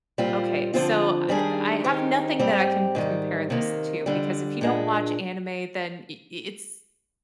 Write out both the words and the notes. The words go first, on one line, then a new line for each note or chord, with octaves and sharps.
okay, so, eh, I have nothing that I can compare this to because if you don't watch anime, then i it's
A#2 G3 C4 F4
D3 F3 C4 F4
D#3 G3 D4 G#4
D#3 G#3 C4 D#4 G4
G#2 G3 C4 G4
G#2 D#3 G3
C3 D#3 A#3
F2 D3 G3
A#2 G#3 D4